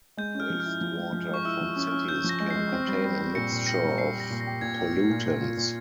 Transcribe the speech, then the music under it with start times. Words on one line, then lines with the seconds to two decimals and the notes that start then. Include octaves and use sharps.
Wastewater from cities can contain a mixture of pollutants.
0.17 G#3 G6
0.34 C#4
0.40 F6
0.50 F3
0.60 F6
0.66 E4
0.81 F3
0.97 G#3
1.13 F3
1.29 G#3 C#6
1.45 E4 E6
1.61 F3
1.76 C#4
1.87 C#4 F6
2.08 C#4 G6
2.24 F3
2.29 A#6
2.40 G#3
2.50 C7
2.56 G#3
2.72 C4
2.88 G3
3.04 G3
3.20 C4
3.35 A#2 A#6 C#7
3.51 A#2
3.66 G4 A#6 C#7
3.83 G3
3.98 G3 C7
4.14 G4
4.20 A#6
4.30 A#2
4.40 A#6
4.46 G4
4.61 A#2 G#6
4.78 G4
4.94 G4
5.10 A#2
5.26 A#2
5.41 F4
5.57 A#2